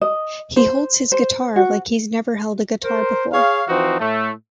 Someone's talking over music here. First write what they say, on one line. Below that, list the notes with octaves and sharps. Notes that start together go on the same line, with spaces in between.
He holds his guitar like he's never held a guitar before.
D#5
C5
C5
F#4
A#4 C5
G#4 C#5 F5
E3 F3 C4 D#4 F#4
A2 A3